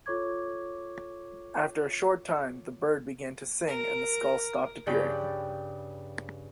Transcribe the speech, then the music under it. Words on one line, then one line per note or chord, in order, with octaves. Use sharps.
After a short time, the bird began to sing and the skull stopped appearing.
F4 A4 C#5 C#6 D6 G#6
A#4
G2 C#3 G3 D5 G5 B5